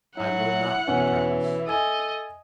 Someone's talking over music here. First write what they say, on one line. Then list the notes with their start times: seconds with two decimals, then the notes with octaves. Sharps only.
"I will not," he promised.
0.17 F#3 E4 F#5
0.87 B2 E3 C#4
1.68 A4 D#5 E5 G#5